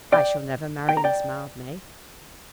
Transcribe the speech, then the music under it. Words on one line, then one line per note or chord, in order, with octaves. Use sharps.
"I shall never marry Miss Mildmay."
D5 G5
G5
A#5
D5 G5